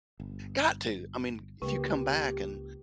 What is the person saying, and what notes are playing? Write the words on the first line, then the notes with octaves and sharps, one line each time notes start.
Got to. I mean, if you come back and,
G1
C#2 C#3 A#3 G4